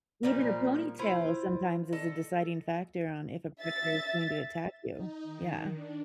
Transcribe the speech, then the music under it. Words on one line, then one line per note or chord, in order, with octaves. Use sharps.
Even a ponytail sometimes is a deciding factor on if a predator is going to attack you. Yeah.
A#2 F3 G3 A#3
E4 F4 C5
A4 D#5
E5 A6
D#4
D#3
D4